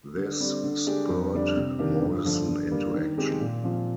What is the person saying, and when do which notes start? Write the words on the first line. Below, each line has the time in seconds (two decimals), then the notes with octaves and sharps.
This spurred Morrison into action.
0.17 D3
0.40 G3 C4
0.64 D3
0.87 G#3 D4 G4
1.09 F2
1.33 D3 G3 D4
1.56 C3
1.79 D#3 A#3 D4 G4
2.02 G2
2.25 D3 F3
2.48 D3
2.71 G3 A#3
2.94 D#3
3.18 G#3 C4 G4
3.40 A#2
3.64 F3 C4 F4